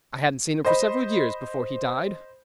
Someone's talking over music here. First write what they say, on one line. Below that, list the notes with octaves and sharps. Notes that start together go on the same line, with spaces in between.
I hadn’t seen him for several years before he died.
C5 D#5 B5